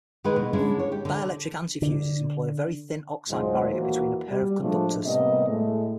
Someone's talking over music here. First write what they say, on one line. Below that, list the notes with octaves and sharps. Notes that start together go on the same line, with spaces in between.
Dielectric antifuses employ a very thin oxide barrier between a pair of conductors.
D#3 G#3 D#4 E4 B4
B2
D3 G#3 C#4 E4 G#4
C#5
G4
D3
D3
D2 G#2 F#3 G#3 F4 C5
D#2 A#2 E3 A#3 F#4
G3
A2 F3 G#3 A3 D4
A2 C3 G3 A#3 B3 D#5
A2 G#3 A3